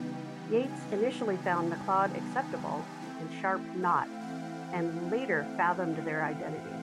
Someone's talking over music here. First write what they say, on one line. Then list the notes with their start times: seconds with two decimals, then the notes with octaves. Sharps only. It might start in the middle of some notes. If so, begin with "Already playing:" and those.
Yeats initially found Macleod acceptable and Sharp not, and later fathomed their identity.
Already playing: C#3 E3 G3 B3 D#4 G5
0.63 G#5
1.43 A5
3.02 E3 A3 C4 E4 G5
3.82 F5
4.21 F#5